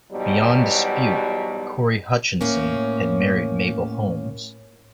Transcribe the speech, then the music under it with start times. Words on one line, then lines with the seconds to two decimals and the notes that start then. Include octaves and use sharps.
Beyond dispute, Corry Hutchinson had married Mabel Holmes.
0.12 E2 G#2 B2 F#3 G3
2.41 A2 A#3 C#4